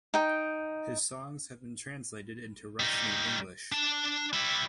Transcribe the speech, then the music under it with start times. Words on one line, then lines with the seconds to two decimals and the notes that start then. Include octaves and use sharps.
His songs have been translated into Russian and English.
0.14 D#4 G5
2.80 G3 D#4
3.72 D4 A5
4.33 G3 E4